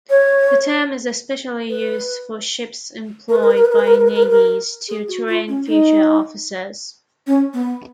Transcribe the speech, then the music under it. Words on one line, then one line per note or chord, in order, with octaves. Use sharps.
The term is especially used for ships employed by navies to train future officers.
C#5
B4
A#4
B4
A#4
B4
A#4
B4
A#4
B4
A#4
B4
A#4
B4
A#4
B4
A#4
G#4
F#4
F4
C#4
D#4
C#4
B3